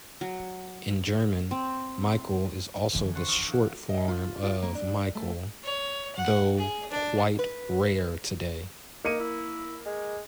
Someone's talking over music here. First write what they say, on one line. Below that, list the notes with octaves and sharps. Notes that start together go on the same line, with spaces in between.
In German, "Michel" is also the short form of Michael, though quite rare today.
F#3
C4
F2 D3 E3
F#4 C5 F#5 A5 C6 C#6
D6 D#6 F6 C#7 E7
E4 F5 F#5
D#5
F4
F4
A#3
D4
A3
C#5
F#5
G#4
D4
B4
A#3 D#4 C#7 D#7
E4
G#3